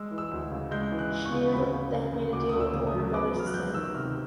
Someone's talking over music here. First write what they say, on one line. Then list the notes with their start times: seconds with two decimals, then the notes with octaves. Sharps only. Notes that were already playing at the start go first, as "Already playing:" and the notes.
Schneer then made a deal with Warner Brothers instead.
Already playing: G#3 E6
0.11 E3
0.18 E6
0.31 D2
0.51 C#3
0.71 G#3 G6
0.92 E3
0.99 F#6
1.12 G#3
1.25 C#6
1.32 C#3
1.52 D2 B5
1.73 C#3
1.93 C#3
2.13 C#3
2.33 D2 D6
2.49 D2 D#6
2.60 E6
2.73 C#3
2.87 D#6
2.94 F#3
3.14 B3 D6
3.34 F#3
3.39 F6
3.47 F#6
3.54 F#3 G6
3.74 D#3 E6
3.95 C3 F6